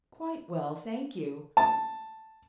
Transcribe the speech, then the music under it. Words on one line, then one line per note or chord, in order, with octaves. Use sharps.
"Quite well, thank you."
A5